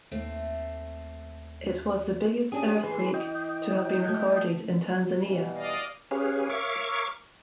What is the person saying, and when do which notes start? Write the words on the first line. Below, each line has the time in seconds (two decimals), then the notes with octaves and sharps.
It was the biggest earthquake to have been recorded in Tanzania.
0.12 D#2 A3 C4
2.52 C#4 D4 G4 G#4 D#6
2.83 E3 G#4 B4 C6
3.14 D#5 G5
4.08 A3
5.19 B2 E3 G3
5.56 D5 D#5 F5
6.11 C#4 G4 G#4 B4 C#5 F5
6.49 A#4 C#5 E5 F5 C#6 D6